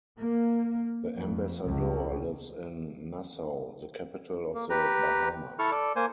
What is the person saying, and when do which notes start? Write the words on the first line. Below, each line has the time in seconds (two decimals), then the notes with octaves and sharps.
The ambassador lives in Nassau, the capital of the Bahamas.
0.18 A#3
1.16 F2
1.66 C#2
4.55 A#3
4.70 G4 B4 A#5
5.59 E4 A4 C#6 F6
5.71 A4 D5
5.96 A#3 C5 G#5